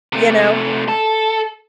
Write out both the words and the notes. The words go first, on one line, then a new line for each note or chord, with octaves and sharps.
you know?
C3 A3
A4